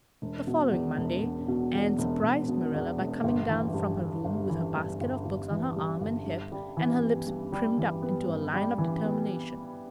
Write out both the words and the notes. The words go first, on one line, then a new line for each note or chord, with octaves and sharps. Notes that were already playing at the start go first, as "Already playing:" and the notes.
The following Monday Anne surprised Marilla by coming down from her room with her basket of books on her arm and hip and her lips primmed up into a line of determination.
E1
B2
E2
E1
E1
B2
E2
E1
E1
B2
E2
E1
G1
E3
G2
G1
G1
E3
G2
G1
G1
E3
G2
G1
G2
G3
E3
B3
G2
G3
E3
B3
G2
G3
E3
B3